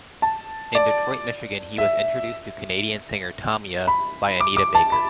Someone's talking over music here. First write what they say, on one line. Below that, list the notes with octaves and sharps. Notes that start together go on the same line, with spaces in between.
In Detroit, Michigan, he was introduced to Canadian singer Tamia by Anita Baker.
A5
D5
E5
B5
D6
D6
A5
B5